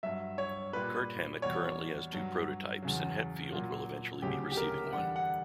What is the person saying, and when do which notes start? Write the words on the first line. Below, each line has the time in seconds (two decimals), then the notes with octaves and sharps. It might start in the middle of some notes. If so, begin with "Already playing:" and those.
Kirk Hammett currently has two prototypes, and Hetfield will eventually be receiving one.
0.03 G2 F#3 E5
0.38 C#5
0.73 A#2 G3 B4
1.42 E2 B2 G3 C#5
2.13 G2 F#3
2.82 E2 C#3 F#3
3.53 A#2 F#3
4.22 D2 C#3 F#3 G4
4.52 G4
4.57 A#4
4.93 E2 D3 G3 F#5
5.16 F#5